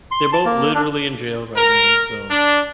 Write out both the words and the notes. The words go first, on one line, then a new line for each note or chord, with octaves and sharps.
they're both literally in jail right now, so,
C6
A5
A#3
D4
A#4
D4